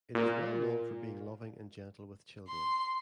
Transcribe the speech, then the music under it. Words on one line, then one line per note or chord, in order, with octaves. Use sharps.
It is well known for being loving and gentle with children.
A#2
C6